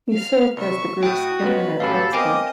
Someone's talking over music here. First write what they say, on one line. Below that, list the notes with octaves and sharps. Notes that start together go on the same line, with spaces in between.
He served as the group's Internet expert.
F5 F6
C2 E5 C#6
A2 A3 F#4 G5 D#6
C#2 B3 B4
A1 F#2 F#3 G4 A4 F5 B5
B3 C4 A#4 D#5 F5 G5 G#5 D6